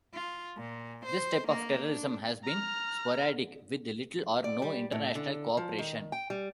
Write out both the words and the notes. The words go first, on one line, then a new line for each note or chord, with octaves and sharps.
This type of terrorism has been sporadic, with little or no international cooperation.
F4
A#2
C5
A#3
D4
A#5 F6
D5
G3
A2
D3
F3
D#3
G5
G3